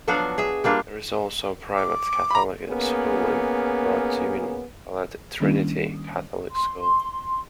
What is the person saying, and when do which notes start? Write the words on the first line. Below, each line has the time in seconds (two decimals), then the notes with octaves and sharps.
There is also a private Catholic school in Protivin called Trinity Catholic School.
0.08 F3 F#3 B3 D4 F#4 F5
0.38 G#4 E5
0.64 G3 A#3 D4 F4
1.76 D6
2.31 A#5 B5
2.68 A#3 B3 C#4 G#4
5.40 D#3 G3 A#3 C#4 D4 E4
6.51 C6